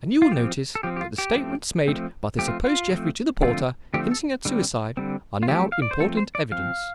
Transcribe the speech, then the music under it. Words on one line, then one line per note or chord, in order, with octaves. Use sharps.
And you will notice that the statements made by the supposed Jeffrey to the porter, hinting at suicide, are now important evidence.
F4
F3 C4 G4
A4
F3 C4 G4
G4
F4
G4
F3 A3 C4
F3 A3 C4
F3 A3 C4 G4
F4
F4
F3 A3 C4
D3 F3 A3 C4 F4
D3 F3 A3 C4 G4
A4
D3 G3 C4
D3 G3 C4
F4
F3 A3 C4 G4
F5
D5
C5
F3 A3 C4 A4
C5
D5
F3 C4 F5